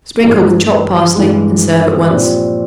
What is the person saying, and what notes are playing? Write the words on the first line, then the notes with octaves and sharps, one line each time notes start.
Sprinkle with chopped parsley and serve at once.
G2 E3 G#3
G2 E3 G#3
A#2 F3 C4 G4